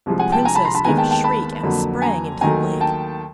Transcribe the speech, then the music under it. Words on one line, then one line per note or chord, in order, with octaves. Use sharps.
The princess gave a shriek, and sprang into the lake.
C2 C3 F3 G#3
F#5 G#5
G5 A5
G#5 A#5
A5 B5
A#5 C6
A5 B5
D#2 D#3 G#3 B3 G#5 A#5
G5 A5
G5 A5
A5 B5
F2 D3 F#3 A#3
G#5 A#5
D#2 D#3 F#3 A3 G#5 A#5
G5 A5